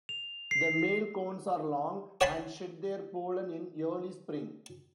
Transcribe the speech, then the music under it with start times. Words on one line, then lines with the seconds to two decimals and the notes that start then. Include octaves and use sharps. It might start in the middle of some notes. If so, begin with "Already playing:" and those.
The male cones are long, and shed their pollen in early spring.
0.09 F7
0.51 C7
2.21 C#5 F#5 G#5 A5 B5 C6